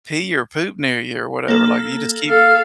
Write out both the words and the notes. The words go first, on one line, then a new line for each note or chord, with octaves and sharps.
pee or poop near you or whatever?" Like, you just keep
A#3 A4
A4 F5